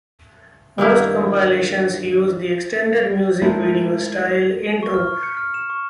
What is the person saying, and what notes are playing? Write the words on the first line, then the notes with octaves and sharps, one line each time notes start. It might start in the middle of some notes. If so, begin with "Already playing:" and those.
Most compilations use the extended music video-style intro.
G2 D#3 A#3 E4
D#3 G#3 A3 C4 D#4 E4
C#6
F6
C#6
C#7
F6
E7
C#6